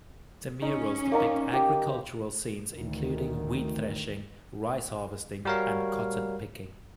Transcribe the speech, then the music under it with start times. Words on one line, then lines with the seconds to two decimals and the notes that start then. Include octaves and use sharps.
The murals depict agricultural scenes, including wheat-threshing, rice harvesting, and cotton picking.
0.62 C#4 D#4
1.12 A#3 D#4 A#5
1.53 G4
2.73 D2 D#3
5.45 G3 F#4 A#4 C#5 F5